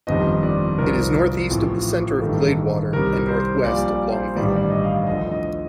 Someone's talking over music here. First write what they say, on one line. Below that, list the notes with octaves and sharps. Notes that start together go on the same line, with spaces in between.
It is northeast of the center of Gladewater and northwest of Longview.
G1 F2 D#3 G3 D#5
D5
C2 C3 F3 A#4
A1 A2 F3
A1 G2 D#3 A4
C2 C3 G3 A#4
C5
A#1 A#2 G3 D5
D5
C5
A1 G2 D#3 G3 D5
D5
D#5
F5
D5
D2 D3 F3 D#5
D#5